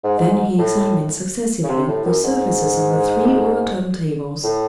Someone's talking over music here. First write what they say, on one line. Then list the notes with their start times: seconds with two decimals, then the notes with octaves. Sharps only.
Then he examined successively the surfaces of the three overturned tables.
0.04 G#2
0.18 G#2
0.32 G#2
0.58 A2
1.64 C#3
1.69 C3
1.88 A2
2.05 F#2
2.24 G#2
4.44 A2